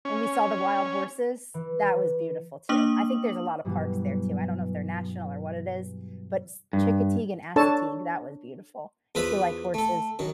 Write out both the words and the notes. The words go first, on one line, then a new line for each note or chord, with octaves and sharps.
and we saw the wild horses. That was beautiful, too. I think there's a lot of parks there, too. I don't know if they're national, or what it is, but S Chickateague and Assateague, that was beautiful, if you like horses.
C#4
E3
A#3 D4 D6 D#6 F#7
G2 B2 E3 F#3 G3
G2
D4 A4 C#5 A5
E2 F4 B4 C5 E5 B5
A3 A4
F#2 D#3